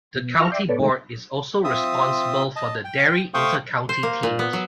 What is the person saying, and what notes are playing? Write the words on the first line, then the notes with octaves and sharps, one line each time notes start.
The county board is also responsible for the Derry inter-county teams.
B2
F4 E5 A#5 C#6 F6
D5 E5 G5 C6 D6
B3 A4 B4 C#5 D5
C3 D#3 G#3 A3
C4 F4 E5 D#6
D#5 A5
G5
A3 C5 F5 G5 C#6 D#6
C5
A#3
A#2
B3
F#3